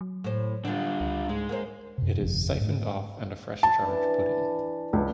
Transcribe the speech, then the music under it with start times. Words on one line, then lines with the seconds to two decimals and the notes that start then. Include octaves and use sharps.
It is siphoned off and a fresh charge put in.
0.01 F#3
0.24 A2 C5
0.65 D3 G3 D4 F4
1.01 C#2
1.29 G#2 G#3
1.49 A#3 C5
1.98 F#2 C3
2.19 G1 F2 C3 C4
2.61 G#2 A3
3.63 A5
3.79 E3 D4 B4
4.93 C#2 D4